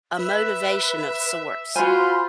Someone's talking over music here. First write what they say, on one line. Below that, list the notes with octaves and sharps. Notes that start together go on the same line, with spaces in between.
a motivation of sorts,
B4 E5
F4 F#4 C5 G#5 B5